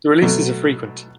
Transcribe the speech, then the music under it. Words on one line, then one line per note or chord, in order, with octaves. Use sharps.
The releases are frequent.
B2 F#3 A3